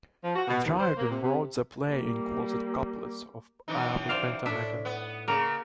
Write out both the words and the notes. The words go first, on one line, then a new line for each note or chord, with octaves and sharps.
Dryden wrote the play in closed couplets of iambic pentameter.
F3
F#4
B2
D#2
C5
A#3
C3
C3
G3 A#3
F#2 E3 D#4
C5 D5 F5
A2 D4 E5
B3
C#3 A#3 A#4